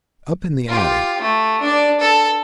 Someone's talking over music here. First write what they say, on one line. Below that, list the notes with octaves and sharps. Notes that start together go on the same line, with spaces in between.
Up in the attic.
F4 G4
A3
D4 D5
A4